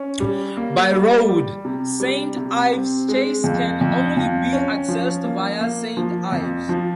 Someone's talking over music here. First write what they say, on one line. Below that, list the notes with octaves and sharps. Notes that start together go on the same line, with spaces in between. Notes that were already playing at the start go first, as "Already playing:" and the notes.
By road, Saint Ives Chase can only be accessed via Saint Ives.
Already playing: C#4
G3
A#3
G3
G3
C3
G3
C3
C4
G#3
F2
F2
F2
C#4
F3
A#3
A#3
F3
F2
F3